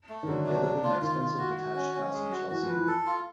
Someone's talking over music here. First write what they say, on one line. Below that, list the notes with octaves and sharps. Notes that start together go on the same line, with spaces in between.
They live in an expensive detached house in Chelsea.
A3
D#3
D3 F#3
D4
D4
F4
D#3 F4
F4
F#4
F#4
C#4
C#4
G#3
F#4
E3 F#4
F3
B4
E3
A4
F4